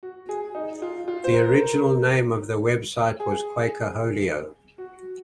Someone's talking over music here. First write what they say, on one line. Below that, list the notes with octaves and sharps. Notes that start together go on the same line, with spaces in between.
The original name of the website was Quakeholio.
F#4
G#4
D#4
F4
F4
C5
A#4
G#4
F#4